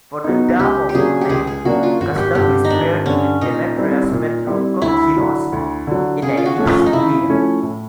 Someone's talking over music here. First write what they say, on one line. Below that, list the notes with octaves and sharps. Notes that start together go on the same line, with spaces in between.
For the doubles tournament, Kasdaglis paired with Demetrios Petrokokkinos in a mixed team.
F#3 B3 D#4
C#2 G4
G4
C#3 F#3 A#3 D4 G#4
G4
C#2 G#4
G#4
C#3 F#3 A#3 D4 F#4
F4
G#1 F#4
G4
G2 D3 G4
D#4
G#1 D4
G2 D3 C#4
A#2 D#4
G3 C4 E4
A#2
G3 C4 E4
D2 E4
D3 F#3
D2
D3 F#3
C#3 G#4
F4
F#4
F3 A3 C#4
F4
D#4
C#3 E4
F3 A3 C#4
A2